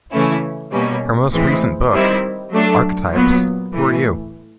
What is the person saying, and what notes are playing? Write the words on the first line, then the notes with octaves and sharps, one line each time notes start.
Her most recent book, Archetypes: Who Are You?
C#3 E3 A3 C#4 E4
B2 G3 A#3 C#4
A2 E3 G#3 C4
D#3 G3 C4 E4
F#3 A3 D4
A#2 F#3 B3
A2 E3 A3